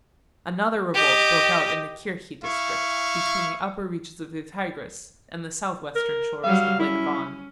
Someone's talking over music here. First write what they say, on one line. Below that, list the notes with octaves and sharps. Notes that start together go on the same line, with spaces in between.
Another revolt broke out in the Kirkhi district between the upper reaches of the Tigris and the southwestern shores of Lake Van.
G4 D#5
E4 F5 C#6
A#4
F#3 G3 F5
C#4 E4